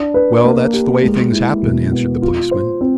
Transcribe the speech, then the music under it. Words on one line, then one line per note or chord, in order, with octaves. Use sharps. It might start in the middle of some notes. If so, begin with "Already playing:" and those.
"Well, that's the way things happen," answered the policeman.
Already playing: D4
B4
A#3
G4
G#3
E4
B2
B3
F4
C5
C4